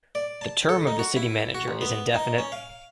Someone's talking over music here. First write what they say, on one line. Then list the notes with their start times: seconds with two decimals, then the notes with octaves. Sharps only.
The term of the city manager is indefinite.
0.15 D5
0.41 A5
0.69 A4
0.87 D#4
0.99 F#4
1.16 E4
1.54 F#4
1.68 A1
1.81 B3
2.14 D#4
2.38 C#4
2.52 F5